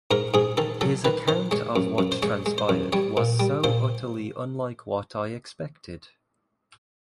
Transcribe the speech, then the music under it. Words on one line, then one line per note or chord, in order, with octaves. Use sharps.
His account of what transpired was so utterly unlike what I expected.
G#2 A#4
G#2 G#4
D#3 A4
F#3 A4
D#3 B4
D#3 C5
G#3 C#5
F#2
F#2
C5
G#3 C#5
G#3
C5
F#2
G3 C#5
A#2
G3
A#2 C5